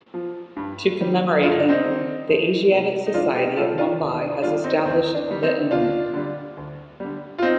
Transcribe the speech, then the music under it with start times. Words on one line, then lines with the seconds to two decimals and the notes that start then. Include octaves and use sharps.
To commemorate him, the Asiatic Society of Mumbai has established the Mm.
0.14 F3
0.56 G2
1.00 D#3 G3
1.42 G2 F4
1.51 D#4
1.60 D4
1.69 C4 D#4
1.86 D#3 G3
2.29 F2
2.71 C3 G3
3.06 D#4
3.14 F2 D4 F4
3.35 D#4 G4
3.57 C3 G3 F4 A4
3.78 D4 F4
4.00 D#2
4.21 D4
4.42 D#3 G3 D4 F4
4.64 C4 D#4
4.86 D#2 C4
5.15 D4
5.28 D#3 G3
5.43 C4 D#4
5.71 D2 D4 F4
6.13 D3 G3
6.57 D2
7.00 D3 G3
7.38 F4
7.42 C4 D#4